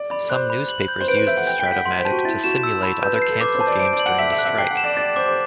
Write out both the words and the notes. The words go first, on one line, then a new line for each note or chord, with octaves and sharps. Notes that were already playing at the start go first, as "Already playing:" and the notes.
Some newspapers used Strat-O-Matic to simulate other canceled games during the strike.
Already playing: D5
D5 B5
C5 F#6
B5
F#7
G6
C5
B4 D7
C5
E5 G6
F#5
G5 G6
G5
B6
F#5
F#5 C6
C5
A5
F#4
E4 A6
F#4 E7
E6
B5
B4 G6
B4
C7
A4
B4 D6
C5
A5
D5
C5 D7
D5
F#7
F#5
E5 B6
E5
F#6
E5
G5 C7
F#5
E7
D5
D5 A6
C5 D6
C5